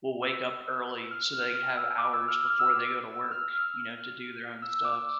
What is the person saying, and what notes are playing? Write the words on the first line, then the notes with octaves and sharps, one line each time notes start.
will wake up early so they have hours before they go to work, you know, to do their own stuff,
E6
F6
F6
F6
E6
D6
E6
F6
E6
F6
E6
F6
F6
E6
D6